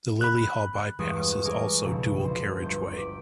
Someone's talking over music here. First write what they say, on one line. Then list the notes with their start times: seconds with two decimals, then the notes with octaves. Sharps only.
The Lillyhall bypass is also dual carriageway.
0.21 B5 F#6
0.99 E2 G2 G#3 G5 C#6 D#6
1.44 D#5 G#5 A#5 C#6 D6 F6
1.84 B1 F2 C#3
2.24 D2 C5
2.60 G1 G6
2.97 D5 D6 B6